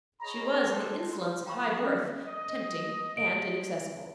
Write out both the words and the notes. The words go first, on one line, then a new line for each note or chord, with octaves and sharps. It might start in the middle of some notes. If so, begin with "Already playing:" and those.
She was, in the insolence of high birth, tempting and inaccessible.
G#4 C#5 D#5 A#5 B5
D4 G4 A4 C5
F4 C6
F5 G5 A#5 B5 C#6
C#4 G#4 A4 G5 D6
D#5
D7